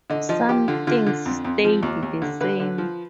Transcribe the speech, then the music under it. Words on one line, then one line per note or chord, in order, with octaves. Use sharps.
Some things stayed the same.
D3 D#5
F3 D#5
F3 G4
D3 F4
D3 F4
D3
F2
F2
F3
D#2
D#2
D3
D3 B4
D3
F3